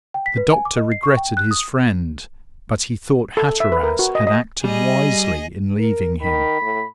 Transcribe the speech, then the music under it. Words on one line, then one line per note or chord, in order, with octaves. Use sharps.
The doctor regretted his friend, but he thought Hatteras had acted wisely in leaving him.
G5
B6
B4
G#5
D6
D#5
C7
C#6
G5
F#6
D#6
A4
E5
B4
A#4
F#4
D#5
D#5
G3 G#4 D#5
A#4
D#3 B5
A2